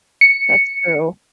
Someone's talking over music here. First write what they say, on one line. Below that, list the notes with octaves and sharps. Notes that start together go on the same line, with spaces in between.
that's true.
C#7